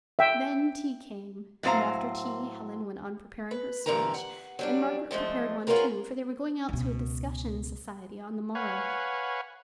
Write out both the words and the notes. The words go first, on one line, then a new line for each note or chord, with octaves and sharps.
Then tea came, and after tea Helen went on preparing her speech, and Margaret prepared one, too, for they were going out to a discussion society on the morrow.
E5 G5
A2 F#3 C4 C5 F5 A#5
B4
G2 A#2 D3 E3 A#4 A#5
F#5
F#3 G3 D4
E2 F3 G#3 A3
C#4 F4 F#4 G#4 A#4 B4
C#2 B2
B4 C#5 F5 F#5 G#5